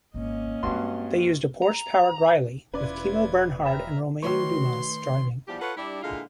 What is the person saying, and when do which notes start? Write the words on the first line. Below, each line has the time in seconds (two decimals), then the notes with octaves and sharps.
They used a Porsche-powered Riley with Timo Bernhard and Romain Dumas driving.
0.14 G#1 A#3 C#4 D#5
0.63 G2 G#3 C4 F#4 C6
1.62 A#5
2.74 E1 C#4 E4 F4 B4 D5 G#6
3.64 E5 G5 A#5 B5 F6 E7
4.23 D#3 A3 F#4 B4 C#5 C6 C#6
5.47 E2 F3 G3 G4
5.60 F4 A4 B4 C#5 F#5
5.76 G3 D4 E4
6.03 A#2 D3 G#3 E4 F4 F5